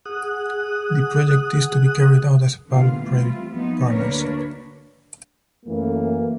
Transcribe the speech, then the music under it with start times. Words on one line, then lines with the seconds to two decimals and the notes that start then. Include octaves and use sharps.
The project is to be carried out as a public-private partnership.
0.05 G#4 F#5 D#6 F#6
2.69 A#2 D3 A#3 B3 F4 F5
2.99 E3 G3 A3 C4 E4 F4
3.52 F3 B3 D#4
3.89 D2 A#3 D4 A#4 B4 C#5
5.65 F#2 E3 A3 A#3